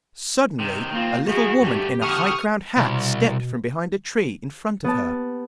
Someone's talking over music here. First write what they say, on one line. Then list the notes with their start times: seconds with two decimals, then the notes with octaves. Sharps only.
Suddenly a little woman in a high-crowned hat stepped from behind a tree in front of her.
0.59 C3 D#3
0.91 D#3 A#3 C4 F4
1.28 F3 E4 F#4 G#4
1.62 G2 A3 G4
2.01 F2 D3 C#6 D#6 F6
2.77 C2 B2
4.84 B3 G4 A5